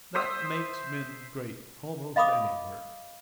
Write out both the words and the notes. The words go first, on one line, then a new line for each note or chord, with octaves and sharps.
That makes men great almost anywhere.
C5 E5 D#6
D#5 F5 B5 D6 D#6